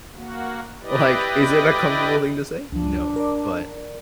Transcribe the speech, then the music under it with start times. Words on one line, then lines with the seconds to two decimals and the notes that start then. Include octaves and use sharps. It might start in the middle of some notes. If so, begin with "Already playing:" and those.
Like, is it a comfortable thing to say? No, but,
0.15 A#3 F#4
0.82 E4 G4 B4 D5 D#5
2.72 C#2 F3 D4
3.16 A#4 D5